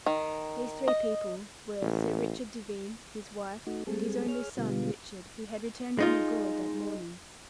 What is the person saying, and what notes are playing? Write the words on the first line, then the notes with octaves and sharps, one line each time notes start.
These three people were Sir Richard Devine, his wife, and his only son Richard, who had returned from abroad that morning.
D#3
D#5
A1
A3 D#4 F#4
G3 G#3 C4 G#4 A4
G#4 C#5 F6
B2 D3 G3 B3 F4
G#3 D#4 F4